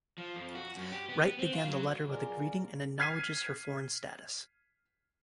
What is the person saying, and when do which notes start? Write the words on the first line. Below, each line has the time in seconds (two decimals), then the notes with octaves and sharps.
Wright began the letter with a greeting and acknowledges her foreign status.
0.18 F3
0.36 F2
0.55 F#4
0.76 F#2
0.92 G4
1.09 B3
1.39 C4
1.53 F4
1.67 F#3
2.09 B2 F4 G#4 A#4 D5 G#5 D6
2.99 F6 G#6 B6 C7 D#7